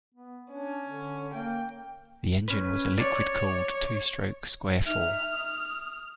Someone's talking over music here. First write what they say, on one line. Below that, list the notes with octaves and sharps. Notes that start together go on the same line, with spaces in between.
The engine was a liquid-cooled two-stroke square four.
B3
C#4 D4
D3
A#3 G5
C#4 B4
C#5 D5
D#4 E5 F6
D#6